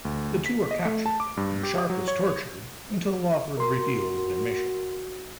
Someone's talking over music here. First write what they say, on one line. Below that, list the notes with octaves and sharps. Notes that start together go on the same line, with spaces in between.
The two are captured and Sharpe is tortured until Lawford reveals their mission.
D2
B6
D#5
A3
A5
D6
G2
G4
F#3
C#5
F#4 A#4 C6